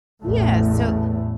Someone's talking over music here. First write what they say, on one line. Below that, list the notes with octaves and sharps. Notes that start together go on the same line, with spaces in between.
yeah, so
A1 E2 A2 A3